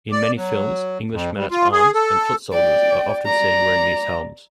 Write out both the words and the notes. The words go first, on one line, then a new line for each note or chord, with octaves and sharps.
In many films, English men-at-arms and foot soldiers are often seen wearing these helms.
D5
F#3
F2
G3
F4
G#4
A4
D5 G5
D5 A#5